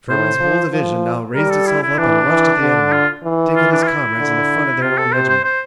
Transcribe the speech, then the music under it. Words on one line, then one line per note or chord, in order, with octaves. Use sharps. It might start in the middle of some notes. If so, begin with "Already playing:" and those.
Sherman's whole division now raised itself up and rushed at the enemy, Dick and his comrades in the front of their own regiment.
A2 C5
F3
F3
G3 A#4
A4
E4
E4
E3 D4
E3
D3
F4
E3
F4
D4
F4
E4
D3
C3 F4
A4
C3 C5
C5
C5